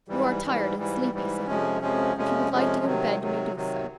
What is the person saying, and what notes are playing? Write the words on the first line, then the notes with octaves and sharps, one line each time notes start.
"You are tired and sleepy," said he; "if you would like to go to bed you may do so."
G#2 E3 G3
G#2 E3 G3
G#2 E3 G3
G#2 E3 G3
F2 C3 F3 G#3 C#4
F2 C3 F3 G#3 C#4
F2 C3 F3 G#3 C#4
F2 C3 F3 G#3 C#4
C3 D#3 F#3
C3 D#3 F#3
C3 D#3 F#3